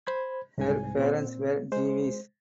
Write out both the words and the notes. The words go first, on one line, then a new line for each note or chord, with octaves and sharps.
Her parents were Jewish.
C5 B5 G#6
C2 G#2 G#5
A#2 C4
G#3 C5